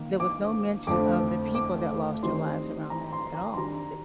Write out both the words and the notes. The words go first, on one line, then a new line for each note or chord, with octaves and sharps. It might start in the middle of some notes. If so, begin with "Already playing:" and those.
there was no mention of the people that lost their lives around there at all. Th
Already playing: D#3 A#3
D6
F2 D3 F3 A3 C4 D6
D6
D#3 G3 C4 D#4 C6
A#5
C6
A#5
C6
D#3 G3 D4 A#5